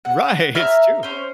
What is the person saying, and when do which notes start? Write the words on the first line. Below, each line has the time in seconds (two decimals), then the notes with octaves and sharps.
Right. It's true.
0.05 F#5
0.55 E5 A#5 F6
1.03 C#4 C5